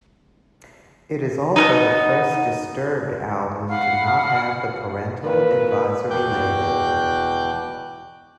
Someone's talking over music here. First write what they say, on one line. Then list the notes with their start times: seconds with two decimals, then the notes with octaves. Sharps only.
It is also the first Disturbed album to not have the Parental Advisory label.
1.56 B3 C#4 D#4
3.69 F5 F#5 B5 F6
5.26 A#2 B4
6.10 E2 B2 G5 D6 F#6 G6